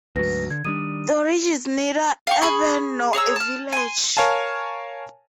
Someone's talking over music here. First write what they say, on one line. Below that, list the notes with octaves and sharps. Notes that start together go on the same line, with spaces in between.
Dorridge is neither urban nor a village.
D2 G#2 F#3 B4 A#6
D3 G#6
D#3 G3 D4 D#6 D#7
F5 G5 C#6
G#4 B5 C#6
G#4 C#5 A#5 E6
A5 F6
G#5 C6
A#4 C#5 F5 G#5 A5